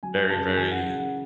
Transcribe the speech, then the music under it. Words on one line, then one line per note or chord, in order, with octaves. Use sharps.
very, very
F#3 G#5
C#3 A5
E3 G#5
F#5
C#3
F#5